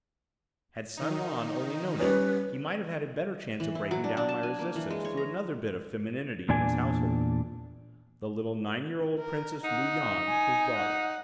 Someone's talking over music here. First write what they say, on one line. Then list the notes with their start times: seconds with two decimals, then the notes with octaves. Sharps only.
Had San-Lan only known it, he might have had a better chance of breaking down my resistance through another bit of femininity in his household, the little nine-year-old Princess Lu-Yan, his daughter.
0.97 D#3 D#4
1.99 G3 C#4 B4
3.60 E3
3.75 E4
3.91 F#3
4.04 D4
4.17 D4
4.29 A5
4.43 G#5
4.59 A#3
4.76 E3
4.90 G#3
5.05 C#5
5.17 A#5
6.49 E2 A#2 D4 D5 G#5
9.19 A#4
9.64 D#4 F#5
10.29 G#5
10.76 F#5